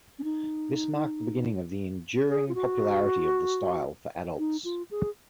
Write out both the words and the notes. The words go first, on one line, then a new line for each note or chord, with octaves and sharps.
This marked the beginning of the enduring popularity of the style for adults.
C#4
D#4
G#4
F4
F#4
D#4
F4
G#4